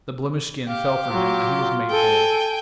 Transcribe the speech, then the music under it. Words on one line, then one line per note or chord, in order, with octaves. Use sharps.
The blemished skin fell from him, and he was made whole.
G4 F5
F#3 F4
A4 G5 G#5